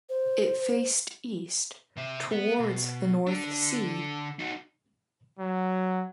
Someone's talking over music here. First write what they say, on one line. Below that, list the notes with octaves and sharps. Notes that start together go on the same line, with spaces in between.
It faced east towards the North Sea.
C5
C3 E5
B3
B2
D3 D4
D#4 F#4
F#3